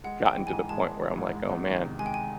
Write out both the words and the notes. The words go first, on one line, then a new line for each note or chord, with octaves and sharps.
gotten to the point where I'm like, "Oh, man"
G#3 F#5
G#1
G5
E3
G#5
G#2
G#3 A5
G#1
E3
G#2
G#3
E2
D#3
C3
G#3 G#5
G5
G#5